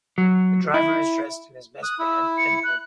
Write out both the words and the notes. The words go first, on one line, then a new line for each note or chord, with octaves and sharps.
The driver is dressed in his best band and bib.
F#3
E4
D#6 F#6
E4 E6
C#7
F#6